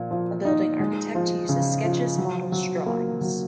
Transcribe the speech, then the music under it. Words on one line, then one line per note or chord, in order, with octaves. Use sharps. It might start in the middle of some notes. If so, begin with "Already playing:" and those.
A building architect uses sketches, models, drawings.
Already playing: A#2 F3
F3
D#4
G#3
F3
C#3
F3
F#3
F#3
A#3
F#3